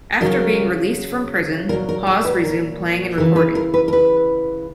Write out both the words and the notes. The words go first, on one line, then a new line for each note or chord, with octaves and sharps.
After being released from prison, Hawes resumed playing and recording.
C#3 F#3 A#4
A#2 F#3 A#4
A#4
G#4
B4
A#4
C#3 E3 A#4
B4
A#4
B4
A#4
B4